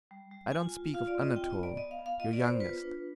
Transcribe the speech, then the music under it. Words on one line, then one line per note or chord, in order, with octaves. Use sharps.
I don't speak of Anatole, your youngest.
G3
G3
F4 G#5
F4
F4 F5
D5
C4
D#5
F4 G5
D#5
B3
D5
B3 D#5
F5
B3
F5
F4 D#5
D5
B3
C5
F4 B4
D4